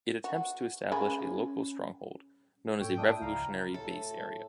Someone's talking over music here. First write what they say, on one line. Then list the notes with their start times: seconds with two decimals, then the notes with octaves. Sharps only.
It attempts to establish a local stronghold known as a revolutionary base area.
0.24 F#4
0.92 G#3 C#4 G#4 B5
2.80 G#2 A#3 A4 C#5 G5
2.98 D4 E4 D#6
3.21 C#2 F3 E4 F5 A#5
3.74 A2 A4